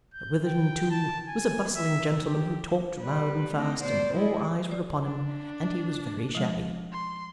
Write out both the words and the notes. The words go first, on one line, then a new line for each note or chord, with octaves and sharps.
Mr Witherden too was a bustling gentleman who talked loud and fast, and all eyes were upon him, and he was very shabby.
G6
G5
A5
G#5
E5
G4
G3 B4
A3 C4 D#4
B2 C5 D5
G3 G#3 E4
D5
D4
F3 G#3
C6